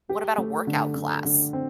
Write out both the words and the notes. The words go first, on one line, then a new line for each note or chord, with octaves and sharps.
what about a workout class?
G4
A3
D3
D3
D3
C4